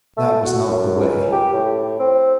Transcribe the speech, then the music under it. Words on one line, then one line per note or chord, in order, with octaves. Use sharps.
That was not the way.
A3
F#4
F#2
C#2
G4
A2
C4